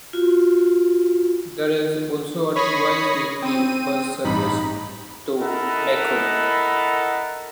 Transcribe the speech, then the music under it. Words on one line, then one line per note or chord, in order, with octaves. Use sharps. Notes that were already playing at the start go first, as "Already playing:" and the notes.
There is also a twice weekly bus service to Macroom.
F4 F#4
C#5 B5 C#6 D#6 A#6 C7
C4 D#7
A1 G2 D#4 B5
E4 A4 A#4 D#5 F#5 B5